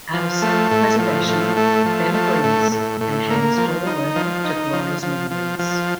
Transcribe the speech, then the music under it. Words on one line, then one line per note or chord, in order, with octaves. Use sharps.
Out of self-preservation, Ben agrees, and hands Dawn over to Glory's minions.
F3
A3
A2
F3
A2
A3
F3
A3
A2
A2
A2
A#3
F3
D#4
F3
D#4
F3
F3
F3
F3